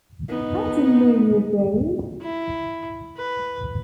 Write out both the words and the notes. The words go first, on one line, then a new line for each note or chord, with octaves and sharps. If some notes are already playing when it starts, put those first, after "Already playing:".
I didn't know you were gone.
B3 D#4
E4
B4